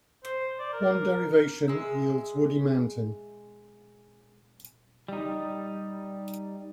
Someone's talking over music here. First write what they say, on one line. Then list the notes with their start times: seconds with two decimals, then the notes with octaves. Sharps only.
One derivation yields "woody mountain".
0.24 C5
0.59 D5
0.73 A#4
1.68 G#3 E5
5.08 G3 D#4